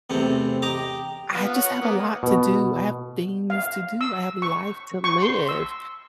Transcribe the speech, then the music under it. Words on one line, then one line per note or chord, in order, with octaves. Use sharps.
I just have a lot to do. I have things to do. I have a life to live,
E2 C3 A3 C4
G4 D#5 A#5 D6
B3 F4
C#5 F#5
A#3 B3
B2
F5
E6
C#6
C#6
C6
E6